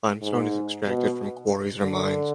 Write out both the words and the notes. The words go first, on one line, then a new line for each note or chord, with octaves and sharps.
Limestone is extracted from quarries or mines.
G#2
B2
D3